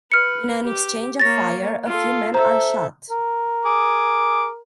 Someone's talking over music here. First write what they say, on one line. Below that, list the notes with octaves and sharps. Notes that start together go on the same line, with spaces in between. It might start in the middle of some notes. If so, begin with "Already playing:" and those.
In an exchange of fire, a few men are shot.
B4 F6 C#7
G4
A#3 C#5 A6 A#6
F4 A4
A4 C5 E5 A#5
A#4
G#4 D6